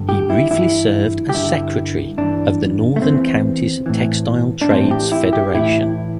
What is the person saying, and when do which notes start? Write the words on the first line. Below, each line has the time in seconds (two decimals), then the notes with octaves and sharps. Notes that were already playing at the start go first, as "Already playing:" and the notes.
He briefly served as secretary of the Northern Counties Textile Trades Federation.
Already playing: G2 D3
0.09 G4
0.30 E4
0.50 G2 E3 E4
1.29 G4
1.34 G2 D3 E4
2.18 G2 E3 D4
2.96 A3
3.02 E2 E3 C4
3.86 A2 E3
4.62 D4
4.70 A2 E3 C4
4.91 G4
5.12 E4
5.33 G4
5.54 A2 E3 E4